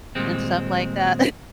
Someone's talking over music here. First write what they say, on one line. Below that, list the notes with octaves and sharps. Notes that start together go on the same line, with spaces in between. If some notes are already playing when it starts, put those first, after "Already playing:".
and stuff like that.
D#2 A#2 G3 G#3 C4